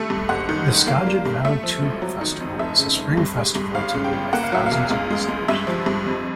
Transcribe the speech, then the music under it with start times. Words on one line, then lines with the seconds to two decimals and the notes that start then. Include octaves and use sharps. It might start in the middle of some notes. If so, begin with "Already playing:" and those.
The Skagit Valley Tulip Festival is a spring festival attended by thousands of visitors.
Already playing: G2 A3 E5
0.10 G2
0.29 F#1 F#5
0.49 D#3
0.68 F#1
0.87 A#3 F5
1.07 G3
1.26 G2
1.45 A3 E5
1.63 F3
1.82 G#1
2.02 F#3
2.21 D#3
2.40 F2
2.59 F1 E5
2.79 C#3
2.98 F1
3.17 G2
3.37 G#3
3.55 G2
3.75 G1 F5
3.94 C#3
4.04 G5
4.13 G1
4.33 A#3 F#5
4.43 F5
4.52 F#3 E5
4.66 F5
4.71 E2
4.90 C#2
5.10 G#3
5.29 C#2
5.48 G2 E5
5.67 F3
5.86 G2
6.06 F2